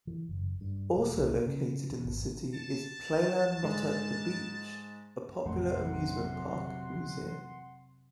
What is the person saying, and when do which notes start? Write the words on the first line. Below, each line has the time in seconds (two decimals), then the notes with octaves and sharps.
Also located in the city is Playland-Not-At-The-Beach, a popular amusement park museum.
0.07 E3
0.29 F#1
0.61 G2
0.96 E1
1.18 C2
1.46 C#3
1.90 E2
2.05 G#1
2.55 A5
3.63 G#2 G#3
5.46 A1 F2 C3 F#3 A3 F#5 C6